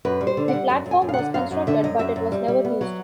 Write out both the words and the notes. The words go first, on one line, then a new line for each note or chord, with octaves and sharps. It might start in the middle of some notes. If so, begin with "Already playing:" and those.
The platform was constructed, but it was never used.
F#2 B4
G3
C5
D3
F#5
G3
F#2
F#2
G#5
F#2
F5
D3 F#5
F#2 F5
F#2
D3 E5
F#2 D#5
F#2 E5
F#2
G3
G3
B3
F#3